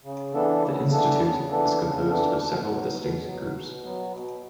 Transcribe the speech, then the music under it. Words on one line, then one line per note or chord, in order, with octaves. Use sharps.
The Institute is composed of several distinct groups.
C#3
E3 B3 D4 A4
C#3
E3 B3 D4 A4
C#3
E3 B3 D4 A4
C#3
E3 B3 D4 A4
B2
F#3 B3
B2
F#3 B3
B2
F#3 B3
B2